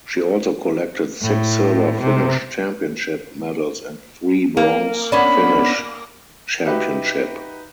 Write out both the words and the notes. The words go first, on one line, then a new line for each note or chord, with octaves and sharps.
She also collected six silver Finnish Championship medals and three bronze Finnish Championship.
A2
C3
A#3
B3 C#4 D4 D5 B5
D#4 F#4 G4 B4 E5